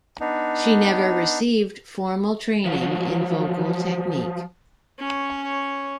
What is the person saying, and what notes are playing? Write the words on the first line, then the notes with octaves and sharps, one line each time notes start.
She never received formal training in vocal technique.
B3 D4 D#4
F3 F#3
C#4 C#5